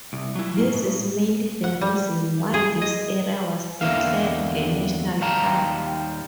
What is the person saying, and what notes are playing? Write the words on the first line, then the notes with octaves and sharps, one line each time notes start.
This is mainly the reason why this area was declared a National park.
C2
F#3 E4
G#2 A#3
A2
F#5
G3
G#4
D#5
E2 D3 A#3 E5 F5
D#2 G3 F5 A5 A#5